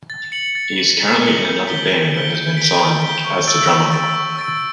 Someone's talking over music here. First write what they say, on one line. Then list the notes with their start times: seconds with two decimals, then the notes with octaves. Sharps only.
He is currently in another band that has been signed, as the drummer.
0.10 A6
0.32 C#7 F#7
0.55 A6
0.77 C#7 F#7
1.00 A6
1.23 C#7 F#7
1.45 G6
1.67 B6 D7 G7
1.89 G6
2.12 B6 D7 G7
2.35 G6
2.57 B6 D7 G7
2.80 G6
3.02 B6 D7 G7
3.25 C#6
3.48 E6 A6 D7
3.69 C#6
3.92 E6 A6 D7
4.15 C#6
4.36 E6 A6 D7